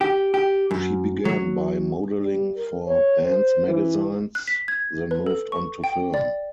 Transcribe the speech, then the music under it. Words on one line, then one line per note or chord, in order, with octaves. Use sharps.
She began by modelling for men's magazines, then moved on to film.
G4
G4
F#2
F#3
G3
A#4
C#5
C5
E3
F#6
B6
G#6
B4
A4
C#6
G5
D5